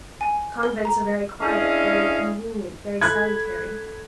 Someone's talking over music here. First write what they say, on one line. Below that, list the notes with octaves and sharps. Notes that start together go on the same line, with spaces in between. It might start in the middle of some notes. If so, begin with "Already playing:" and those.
Convents are very quiet, very convenient, very salutary.
G#5
A#4
A#5
C#4 D4 E4 G#4 D#5 F5
A4 B5 F#6 G#6